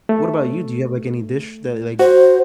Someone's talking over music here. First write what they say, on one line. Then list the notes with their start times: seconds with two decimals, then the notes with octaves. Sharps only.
What about you? Do you have, like, any dish that, like,
0.09 A3
1.99 F#4 C5